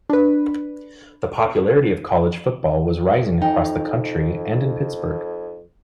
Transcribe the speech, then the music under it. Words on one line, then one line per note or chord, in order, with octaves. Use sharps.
The popularity of college football was rising across the country and in Pittsburgh.
D4 B4
F2 D#4 G5 G#5